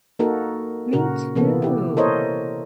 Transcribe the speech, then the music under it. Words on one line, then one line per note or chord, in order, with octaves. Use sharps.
Me too,
A#3 D#4 F#4 A4 A#4
A#2 C#3 F#4 A#4
C3 E3 A#3 B3 A4
E4 G4
E4 A4 A#4 C5 C#5 D#5